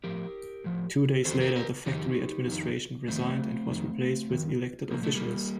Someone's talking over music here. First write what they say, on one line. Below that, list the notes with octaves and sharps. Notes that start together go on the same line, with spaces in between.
Two days later the factory administration resigned and was replaced with elected officials.
A2 F3 G4 A#4
A2 F3
F2 D#3 A4 C5
G4 A#4
G4 A#4
F2 D#3 D#4 G4
F2 D#3
F2 D#3 A3 C4
F2 D#3
F2 D#3
A#2 F3 A#3
A3
G3 A#3